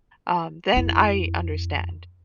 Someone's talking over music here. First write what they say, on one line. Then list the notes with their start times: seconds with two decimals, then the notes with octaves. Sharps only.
um, then I understand.
0.74 F2 E4